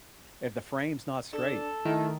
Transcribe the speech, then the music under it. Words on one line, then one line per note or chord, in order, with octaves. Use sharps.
if the frame's not straight,
D4 A4
D#3 A3 E4